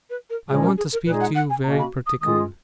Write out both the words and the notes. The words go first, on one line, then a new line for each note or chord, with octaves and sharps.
'I want to speak to you very particularly.
B4
A#4
A#2 F3 G#3 C#4 G#4
A#4
G#4
A#4
A#2 G#3 D#4 G#4 B4
F#5
F#5
G#5
B2 A#3 C#4 F#4 A#5
B5
D#6
D#3 G#3 C#4 F4 G#4 D#6